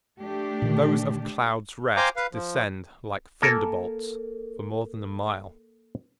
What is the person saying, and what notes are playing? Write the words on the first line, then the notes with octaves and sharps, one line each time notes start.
Those of Clouds' Rest descend like thunderbolts for more than a mile.
A3 D4 G4
A#2 D3 D#3
C5 F5 G5 G#5 A#5 D6
B4 F5
F3
A#3 A4 A#4 G#5